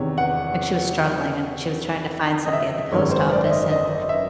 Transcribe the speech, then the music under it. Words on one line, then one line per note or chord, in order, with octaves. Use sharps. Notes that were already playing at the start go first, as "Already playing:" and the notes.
like she was struggling, and she was trying to find somebody at the post office, and
Already playing: E2 C3 D#3 C#5
F#5
D#5
E5
G#1 F#2 D#3 G#3 C#5
C5
D5
E5
D#5
D#5
E5